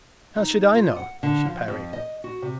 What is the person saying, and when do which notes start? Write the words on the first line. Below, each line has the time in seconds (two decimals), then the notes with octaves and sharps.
"How should I know?" she parried.
0.36 D#4
0.73 F4
0.96 F#5
1.23 D3
1.46 F3
1.68 F2
1.93 D#5
2.24 F#4
2.42 C3